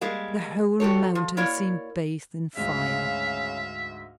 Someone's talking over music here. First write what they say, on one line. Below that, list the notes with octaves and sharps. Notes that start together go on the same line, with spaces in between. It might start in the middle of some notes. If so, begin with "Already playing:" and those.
The whole mountain seemed bathed in fire.
G3 G#3 A#3
F#4 G4 A4 C#5
F3
A#3 E4 A#4 C#5 D5
D2 G#2 C#3 E5 F5